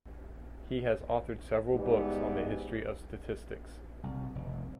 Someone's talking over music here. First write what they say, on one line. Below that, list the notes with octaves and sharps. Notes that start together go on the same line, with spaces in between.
He has authored several books on the history of statistics.
G#2 B2 E3 G3 B3
C2
F1